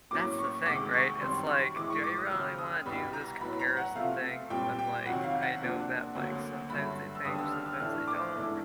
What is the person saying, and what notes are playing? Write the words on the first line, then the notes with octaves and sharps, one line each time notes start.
That's the thing, right? It's like, do I really wanna do this comparison thing when, like, I know that, like, sometimes they thank, sometimes they don't?
A2 F#3 A#3 C#4 D6
C#6
D2 C3 D#3 G#3 D6
C#6
F#2 D#3 G3 C4 C6
C#6
A2 E3 G#3 D6
C#6
D6
D#6
F6
D#2 C#3 F#3 E6
D#6
C2 B2 G3 B3 B5
A#5
A2 F#3 B3 B5
A#5
F#5
C3 F3 A3 F5
A#2 G3 C4 G5
G5
F2 C3 D#3 F#3 F#5
F5
F#5
C3 F3 A#3 D4
D2 D3 F#3 A#3
G2 D3 F#3 A3 B5
E6
D#2 D3 G3 B3 D4 D#6
E6
F6
E6
A2 E3 A3 D4 F6
D6
G#2 E3 A3 D4